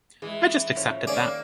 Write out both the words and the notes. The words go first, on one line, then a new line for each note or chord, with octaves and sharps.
I just accepted that.
E3 G#3
A2 F3 C#4
D#3 A#3 C#4 G#4 C#5 D5 F5
A#3